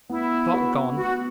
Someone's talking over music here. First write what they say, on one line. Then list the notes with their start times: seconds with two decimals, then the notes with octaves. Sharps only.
Clock gone.
0.10 B3 E4
0.54 F#4 B4
0.96 B3 F#4